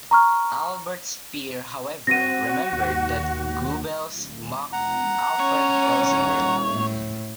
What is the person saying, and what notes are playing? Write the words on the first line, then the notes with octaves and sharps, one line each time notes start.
Albert Speer however remembered that Goebbels mocked Alfred Rosenberg.
A#5 C#6 F6
C4 F#4 A#6 D#7
D#2
F#5 A#5
C#4 C#5
A2